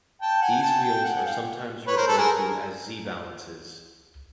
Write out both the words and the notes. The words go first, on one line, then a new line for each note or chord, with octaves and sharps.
These wheels are sometimes referred to as "Z-balances".
G5 A5
F#5 G#5
G5 A5
G5 A5
F#5 G#5
F#5 G#5
F5 G5
B4 C#5
A#4 C5
A4 B4
G#4 A#4